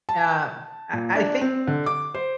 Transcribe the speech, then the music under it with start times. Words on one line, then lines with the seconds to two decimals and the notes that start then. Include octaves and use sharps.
Um, I I think
0.09 A5
0.93 A#2
1.15 D4
1.41 C4
1.67 D3
1.86 D6
2.15 C5